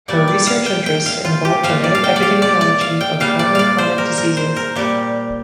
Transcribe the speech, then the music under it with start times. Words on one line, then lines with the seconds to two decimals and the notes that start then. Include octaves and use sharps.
Her research interests involve genetic epidemiology of common chronic diseases.
0.08 A#2 G3 D5
0.28 D5
0.47 F5
0.66 G5
0.86 G5
1.06 F5
1.25 F4
1.45 G4
1.63 A#2 F3 F5
1.84 D5
1.95 F5
2.04 G5
2.16 D5
2.23 F5
2.42 D5
2.61 D5
2.81 F5
3.01 G5
3.20 A#2 G3 F5
3.39 D5
3.55 D5 F5
3.78 C5
3.98 A#4
4.18 A#4
4.37 C5
4.56 A#4
4.76 A#2 G3 G4